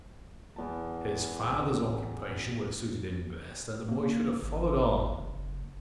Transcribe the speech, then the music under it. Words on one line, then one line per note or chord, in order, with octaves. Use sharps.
His father's occupation would have suited him best, and the boy should have followed on.
E2 A5
A1
A#3
G#1
F#1